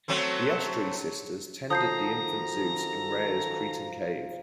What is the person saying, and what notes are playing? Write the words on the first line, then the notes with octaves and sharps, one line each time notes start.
The ash-tree sisters tended the infant Zeus in Rhea's Cretan cave.
F#3 A3 C4
D#3 F3 F#4 A4 A#5 D#6 G6 C7